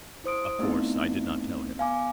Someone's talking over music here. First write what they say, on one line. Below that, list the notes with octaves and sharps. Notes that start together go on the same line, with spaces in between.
Of course I did not tell him.
E4 C5 D#6 D7
A3 B3 C4 D#4 E4
B3 F5 G#5 D6